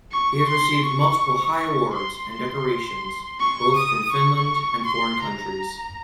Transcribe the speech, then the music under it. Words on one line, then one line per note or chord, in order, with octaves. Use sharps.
He has received multiple high awards and decorations both from Finland and foreign countries.
C#6
C6
C#6
C#6
C6
C6
C#6
D#6
C#6
C6
A#5